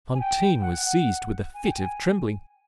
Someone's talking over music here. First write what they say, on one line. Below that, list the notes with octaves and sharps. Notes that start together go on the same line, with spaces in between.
Fantine was seized with a fit of trembling.
G#5
G5
F#5
G#5
G5
G#5